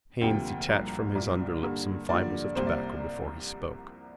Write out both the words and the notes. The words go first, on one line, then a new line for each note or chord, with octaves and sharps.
Haines detached from his underlip some fibres of tobacco before he spoke.
D2 C3 F3 A#3 G5
C2 A#2 F3 A#3
C2 A#2 A#3
G2 D3 G3 A#3
G2 D3 F3 A#3 D5
C2 C3 A#3 C5
D5